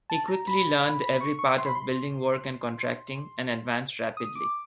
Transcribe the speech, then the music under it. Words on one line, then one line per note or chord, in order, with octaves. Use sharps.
He quickly learned every part of building work and contracting and advanced rapidly.
A5
A#5
B5
B5
C#6
C#6
C6
B5
C6
D#6
D6